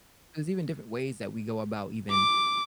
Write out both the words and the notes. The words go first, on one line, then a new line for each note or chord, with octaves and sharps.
There's even different ways that we go about even,
D6